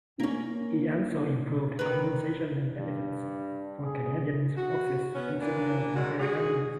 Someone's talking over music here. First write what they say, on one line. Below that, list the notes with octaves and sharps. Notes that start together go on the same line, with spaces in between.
He also improved compensation and benefits for Canadian Forces personnel and their families.
A#3 C#4
D#3 B4
G2
G#4
F#4
B3 C#4
E3 A#3 D4
G#2 D#3 F#3 G#3 F#4
G#3 F#4 G#4